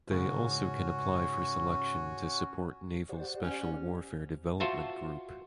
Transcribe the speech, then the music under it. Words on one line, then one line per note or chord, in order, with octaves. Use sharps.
They also can apply for selection to support Naval Special Warfare Development Group.
G#2 C#3 C#4 F#4
G4 C5 D5 F#5
C#4
F4 F#4 C5 E5 A5